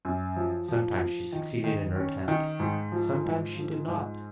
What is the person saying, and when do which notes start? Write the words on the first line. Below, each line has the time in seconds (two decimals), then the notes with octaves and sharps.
Sometimes she succeeded in her attempt; sometimes she did not.
0.05 F#2
0.36 F3
0.68 F3
1.00 F3
1.32 D#3
1.64 D#3
1.96 C#4
2.28 D#3
2.60 G#2
2.92 F3
3.24 G#2
3.55 F3
3.88 G#2